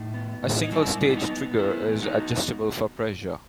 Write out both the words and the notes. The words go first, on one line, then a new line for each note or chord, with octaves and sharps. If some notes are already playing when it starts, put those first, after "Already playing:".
The single stage trigger is adjustable for pressure.
Already playing: A2 D#4
B3
A2
D#4
G3 E4
B3 D#4
E4
D#4
B3
B3 E4
B3
D#4 F#4